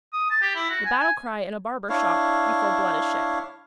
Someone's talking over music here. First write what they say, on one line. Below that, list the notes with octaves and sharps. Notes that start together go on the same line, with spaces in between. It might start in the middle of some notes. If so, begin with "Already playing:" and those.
The battle cry in a barber shop before blood is shed.
D#6
A5
G4
E4
F#4
G#5
G#5
D4 E4 C#5 F5